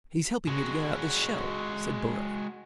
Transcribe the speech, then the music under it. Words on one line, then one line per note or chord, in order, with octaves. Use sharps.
"He's helping me to get out this shell," said Borrowe.
G#3 F#4